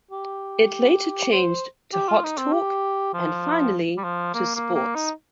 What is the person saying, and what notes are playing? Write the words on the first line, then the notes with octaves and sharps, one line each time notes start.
It later changed to Hot Talk, and finally, to Sports.
G4
C5
G4
F4
D#4
C4
G4
F3
G3
F3
A#3
A#3
A#3
D#4